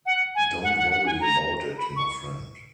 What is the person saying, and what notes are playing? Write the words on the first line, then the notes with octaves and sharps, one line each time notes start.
Don't worry about it, my friend.
F#5
G#5
F#5
F#5
F#5
G#5
A#5
B5
C#6